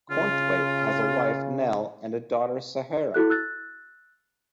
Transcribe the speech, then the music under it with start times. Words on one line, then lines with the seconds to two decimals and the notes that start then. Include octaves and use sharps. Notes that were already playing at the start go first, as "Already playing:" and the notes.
Cornthwaite has a wife, Nel, and a daughter, Sahara.
0.11 C#3 F4
3.14 E4 F#4 A4 F#6
3.30 E6 F#6 A6